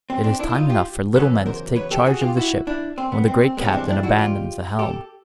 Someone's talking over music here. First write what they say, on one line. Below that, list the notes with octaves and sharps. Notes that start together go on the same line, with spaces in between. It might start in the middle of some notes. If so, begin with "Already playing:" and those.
It is time enough for little men to take charge of the Ship when the great Captain abandons the helm.
C4
C4 D4
D4 E4
E4
D#4 F4
F4 G4
E2 C#3 F#3 A4 B4
A#4 C5
B4 C#5
G4 A4
F#4 G#4
F4 G4
E4 F#4
D4 E4
C4
B3
C4
C4
G2 E3 G#3 B3 C#4
C#4
C4 D4
D4 E4
E4 F#4
F4 G4
G4 A4